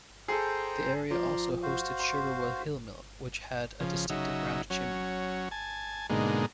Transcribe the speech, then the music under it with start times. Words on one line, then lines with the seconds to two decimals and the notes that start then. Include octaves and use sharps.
The area also hosted Sugarwell Hill Mill which had a distinctive round chimney.
0.28 G#4 A4 C5 G5 A#5
1.11 F3 D5 A#5 C6
1.63 F#4 C5 F5
2.00 C6
3.80 C#3 F3
4.10 C#3 F#3 D#4 E5
4.70 F#3 C#4
5.51 G#5 A5
6.10 G#2 B2 D3 G#3 A#3 D#4